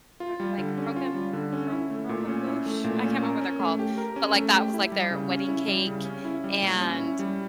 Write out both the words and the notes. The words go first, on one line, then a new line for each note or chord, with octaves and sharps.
what are like, croquem cro croquembouche, I can't remember what they're called, but, like, that was, like, their wedding cake and
F4
G3
D3
C#4
F4
G3
D3
C#4
E4
A3
A#2
C#4
E4
A3
A#2
C#4
A#4
C#4
A3
G4
A#4
C#4
A3
G4
E4
G3
C#3
C#4
E4
G3
C#3
C#4
E4
G3
A#2
C#4
E4
G3